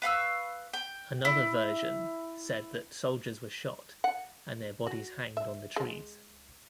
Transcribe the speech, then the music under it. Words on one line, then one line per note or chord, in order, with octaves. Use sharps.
Another version said that soldiers were shot, and their bodies hanged on the trees.
B4 F5 C#6 E6
G5
E4
F#5
F#4
E5
G#3